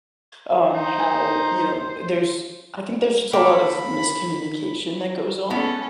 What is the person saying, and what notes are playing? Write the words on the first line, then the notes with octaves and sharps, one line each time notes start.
um, how, you know uh, there's I think there's just a lot of miscommunication that goes on,
D#4 C5
A#3 A4 G5 B5
G#3 B3 C#4 A4